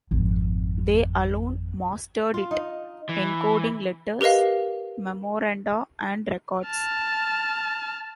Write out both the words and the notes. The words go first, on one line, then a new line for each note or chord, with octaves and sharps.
They alone mastered it, encoding letters, memoranda, and records.
G#1 F2
F4
D#4
E3
G4 A#4 B4 D#5 F5
A5 F6